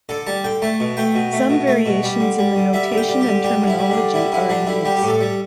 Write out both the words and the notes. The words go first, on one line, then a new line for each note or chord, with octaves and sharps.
Some variations in the notation and terminology are in use.
D3 A4
G3 A5
D3 G5
A3 A5
B2
A3 G5
B2
A3
B2
A3
B2
G3
D3
G3
D3
G3 E5
D3
G5
G3
G4
D3
G3 G4
D3
E4
G3
D4
D3
G3 E4
D3 E4
G3 D4
D3 E4
G3 G4
G4
A2
A4
G3